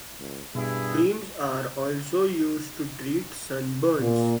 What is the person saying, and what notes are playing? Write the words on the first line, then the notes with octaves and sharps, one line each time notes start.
Creams are also used to treat sun burns.
C#2
G2 B2 E4 G#4
A#2